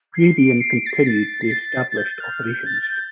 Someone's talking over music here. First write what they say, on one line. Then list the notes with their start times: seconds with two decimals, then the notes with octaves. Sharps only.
Raytheon continued the established operations.
0.15 C7
0.38 D7
0.61 C7
0.76 D7
0.86 A6
0.91 C7
1.07 A6
1.41 C7
1.51 A6
1.91 A6
1.97 G6
2.20 F6
2.43 G6
2.66 A6
2.83 A6
2.89 G6